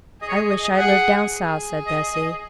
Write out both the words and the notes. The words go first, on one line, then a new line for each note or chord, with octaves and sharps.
'I wish I lived down South,' said Bessy.
G#4 D#5
C#5
D#5
D#5
D#5
G#4 F#5
G#4
D#5
D#5